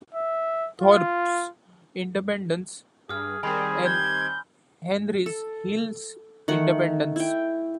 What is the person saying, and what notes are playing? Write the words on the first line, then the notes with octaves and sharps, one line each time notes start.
Thorp's Independence and Henry Hill's Independence.
E5
F4
G2 G#4 D#6 F6
D#3 G3 C4 G#4 G#5 B5 C6
G6 G#6
A4
D#3 A3 F#5
E4 G5